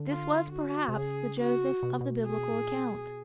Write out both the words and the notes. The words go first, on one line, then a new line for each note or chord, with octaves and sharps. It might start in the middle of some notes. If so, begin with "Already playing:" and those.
This was perhaps the Joseph of the Biblical account.
Already playing: D3
F4
F#4
C3
C#3 G#4
F#4
B2
C3
B2
G#4
A2
A#2
B2